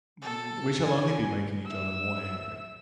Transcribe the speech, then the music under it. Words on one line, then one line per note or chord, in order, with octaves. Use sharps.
We shall only be making each other more angry.
A4
G#5
E5 E6